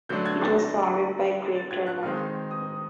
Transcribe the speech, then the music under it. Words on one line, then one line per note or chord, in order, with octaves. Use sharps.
It was founded by Greg Turner.
D3 F#3 A3 D4 G6
G#6
A6
A#6
A6
G#6
F#6
D#3 G#3 C4 D#4 F6
D#6